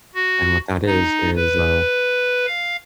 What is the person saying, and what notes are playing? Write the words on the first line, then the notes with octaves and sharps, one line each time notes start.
and what that is is, uh,
F#4
D#4
B4
F5